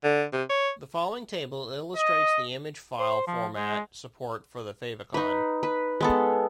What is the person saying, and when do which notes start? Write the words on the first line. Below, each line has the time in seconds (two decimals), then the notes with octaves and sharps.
The following table illustrates the image file format support for the favicon.
0.04 D3
0.33 C3
0.50 C#5
1.96 D#5
2.99 C5
3.27 F3
3.56 G#3
5.14 D#4 B4
5.63 B4
6.01 G#3 B3 A4